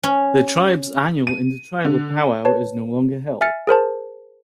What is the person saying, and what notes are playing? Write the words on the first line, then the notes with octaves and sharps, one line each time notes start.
The tribe's annual intertribal powwow is no longer held.
C#4
D#7
D3
B4 C#5 A5
E5 G#5 F6 A6 C#7
G#4 A#4 C5 A5